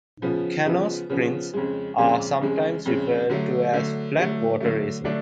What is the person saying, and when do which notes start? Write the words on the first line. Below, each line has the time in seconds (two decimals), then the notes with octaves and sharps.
Canoe sprints are sometimes referred to as flat water racing.
0.22 C#3 F3 B3
0.65 C#3 F3 B3
1.10 C#3 F3 B3
1.53 F2 C#3 G#3
1.98 F2 C#3 G#3
2.41 F2 C#3 G#3
2.85 F2 C#3 G#3
3.29 D3 F#3 A3
3.72 D3 F#3 A3
4.17 D3 F#3 A3
4.60 D3 F#3 A3
5.04 D3 F#3 A3 D4